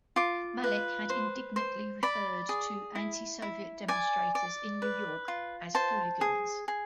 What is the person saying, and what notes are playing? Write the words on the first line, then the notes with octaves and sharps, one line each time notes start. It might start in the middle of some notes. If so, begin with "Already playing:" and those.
Malik had indignantly referred to anti-Soviet demonstrators in New York as "hooligans".
F4 D6
B4
C5
C5
D5 B5
G#4
E4
E4
D5 G#5
D5
B4
F4
C5 A5
G#4
G#4